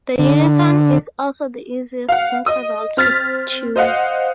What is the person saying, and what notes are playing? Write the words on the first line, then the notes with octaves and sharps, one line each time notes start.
The unison is also the easiest interval to tune.
D3
F5 F#5
D#5 D#6
C4 F6 A6 B6
C5 D#5 F5 F#5